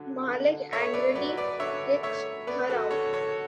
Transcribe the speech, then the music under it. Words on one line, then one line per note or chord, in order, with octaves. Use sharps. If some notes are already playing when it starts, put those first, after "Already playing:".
Malik angrily kicks her out.
Already playing: D3 F#3
D3
A3 C#5 E5
B4 D5
F#3 B4 D5
B4 D5
D3 C#5 E5
A3 C#5 E5
B3 B4 D5
F#4 A4
D3 A4 C#5
A4 C#5